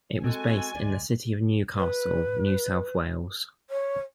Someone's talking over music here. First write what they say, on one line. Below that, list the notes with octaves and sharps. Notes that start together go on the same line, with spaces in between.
It was based in the city of Newcastle, New South Wales.
G#3 C4 F#4 A4 G#5
D2 G#3 D5
B4
C#5